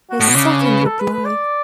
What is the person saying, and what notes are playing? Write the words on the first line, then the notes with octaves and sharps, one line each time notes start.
His second reply.
F#4
A2
B2
C#3 D4
B4
A4
B4
B4
D5